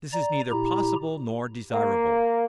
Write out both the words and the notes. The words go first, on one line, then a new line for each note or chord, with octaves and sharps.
This is neither possible nor desirable.
D5 A#5
A#2 E4 G4 A#5
A#3